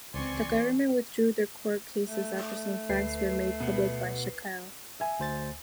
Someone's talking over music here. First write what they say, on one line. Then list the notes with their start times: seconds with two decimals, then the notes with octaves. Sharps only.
The government withdrew their court cases after some facts were made public by Shakil.
0.14 C#2 E3 C4 D5 G#5 C6 C#6
2.06 A3
2.89 D2 B4 C7
3.61 B2 B3
5.00 E5 G#5
5.20 D2 C5 A6